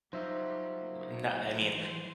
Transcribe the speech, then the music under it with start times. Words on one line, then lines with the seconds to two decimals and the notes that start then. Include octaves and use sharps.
n I mean,
0.13 F#3 G3 D#4 F4 C5 E5
0.79 C#3 A#3
1.55 E3 C5